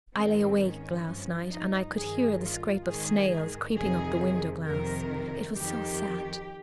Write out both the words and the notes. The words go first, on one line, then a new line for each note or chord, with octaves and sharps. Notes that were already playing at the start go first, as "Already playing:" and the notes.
I lay awake last night, and I could hear the scrape of snails creeping up the window-glass; it was so sad!
G#2 D#3 C4
C#4
G2 F3
D#4
G2 D#3 G#4
F4
G#2 D#3 G#4
F2 C3 D#3 G#4
F2 C3 D#3 A#4
F2 D#3 G4